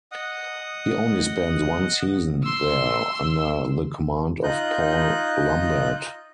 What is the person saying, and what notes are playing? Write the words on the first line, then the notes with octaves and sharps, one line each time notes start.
He only spends one season there, under the command of Paul Lambert.
D#5 F#5 D#6
C6 E6
D#4 F4 D#5 F#6 G6